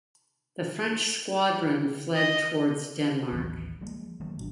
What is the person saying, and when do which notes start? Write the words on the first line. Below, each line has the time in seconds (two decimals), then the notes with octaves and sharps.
The French squadron fled towards Denmark.
2.15 D#5
3.31 A1 D#2 E3 F#3
3.81 F3 G3 G#3 A#3
4.20 D#3 F#3 A3 A#3
4.37 G#1 B2 F#3 D4